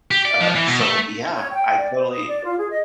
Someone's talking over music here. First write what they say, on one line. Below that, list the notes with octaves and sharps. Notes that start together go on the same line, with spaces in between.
Uh, so yeah, I totally
G4
D5
F3
E3
B2
A3
C#5
G5
D5
C5
D#6
D5
F4
G#4
D#5